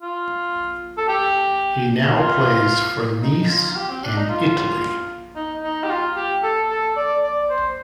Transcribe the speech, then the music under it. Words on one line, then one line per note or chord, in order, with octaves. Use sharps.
He now plays for Nice and Italy.
F4
A4
G4
F4
D#4
F4
F4
G4
C4
D4
D#4
F4
D#4
D#4
G4
F4
G4
A4
A4
D5
D5
C5